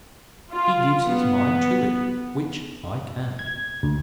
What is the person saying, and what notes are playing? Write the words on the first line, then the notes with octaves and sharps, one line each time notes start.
He gives his mind to it,--which I can't.
F4
B3
G#6
D2